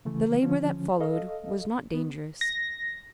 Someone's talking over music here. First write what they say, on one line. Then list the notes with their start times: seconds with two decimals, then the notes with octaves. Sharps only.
The labor that followed was not dangerous.
0.05 C#3 E3 A3
0.42 D3 F3 C#4
1.00 A4 D#5 F5
1.94 B3
2.41 A#6